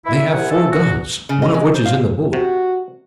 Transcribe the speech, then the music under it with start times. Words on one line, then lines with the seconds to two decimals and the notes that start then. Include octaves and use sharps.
"They have four guns, one of which is in the boat."
0.06 E4
0.32 C2 C3 E3 F#5 G#5
0.51 A3 E4 G#4 A4
0.71 E2 F#4
1.29 C#3
1.42 D#5
1.54 G#3
1.74 C5
1.86 F5
2.33 C3 F#4